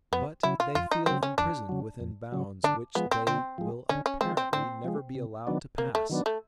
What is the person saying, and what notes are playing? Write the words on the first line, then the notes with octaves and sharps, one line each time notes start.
But they feel imprisoned within bounds which they will apparently never be allowed to pass.
F2 B3
C#3 F#3 E4
F4
F2 F4
D#4
C#3 F#3 C4
C#4
F2 D4
C#3 F#3
F2
C#3 F#3
D3 D4
F3 G#3 B3
C4
D3 C4
F3 G#3
D3 C#4
C#4
F3 G#3 C4
C4
D3 C4
F3 G#3
C3
D#3 F#3 B3 D4
C3 A#3
A3
D#3 F#3 B3 D4
A3